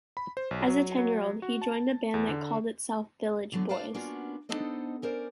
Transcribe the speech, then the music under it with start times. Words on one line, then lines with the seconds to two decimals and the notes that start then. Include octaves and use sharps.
As a ten-year-old, he joined a band that called itself “Village Boys”.
0.17 B5
0.37 C5
0.51 B1
0.67 F#3
0.98 F#3
1.42 F#4
1.62 A5
2.14 E2
2.29 D3
3.52 D3 E3 F#3 A3 B3
3.69 B4 C5 D5 F5 A5
3.94 A#3 B3 C#4 D4 F4 F#4
4.49 B3 D4 D#4 A4 C5 D#5
5.02 C#4 A#4 C5 D5